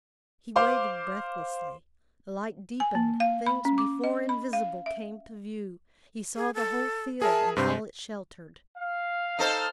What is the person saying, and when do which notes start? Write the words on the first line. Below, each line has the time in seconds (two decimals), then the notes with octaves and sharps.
He waited breathlessly. The light deepened; things before invisible came to view; he saw the whole field, and all it sheltered.
0.56 C5 F5 C6 D6
2.80 G#5
2.95 A#3
3.20 F5
3.46 B5
3.65 C#4
3.78 D6
4.04 D#5
4.29 B5
4.53 F5
4.86 E5
6.36 G#4
6.54 A4
7.22 G#4 A#4 E5 A5
7.56 G2 C3 C5
8.77 F5
9.39 D#4 A4 C5 F6